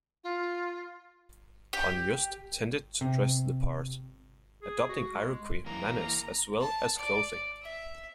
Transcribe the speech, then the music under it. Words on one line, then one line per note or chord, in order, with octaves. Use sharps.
Hon-Yost tended to dress the part, adopting Iroquois manners as well as clothing.
F4
G4
C3
G#4
F#4
G#3
E3 A#3 A#5
A5
D5
E5